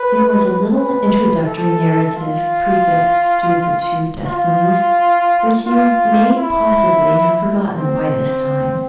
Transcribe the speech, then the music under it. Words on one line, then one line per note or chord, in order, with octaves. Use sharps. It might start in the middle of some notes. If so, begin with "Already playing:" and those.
THERE was a little introductory narrative prefixed to "The Two Destinies," which you may possibly have forgotten by this time.
Already playing: B4
B4
A4
F4
F4
F4
E4
C4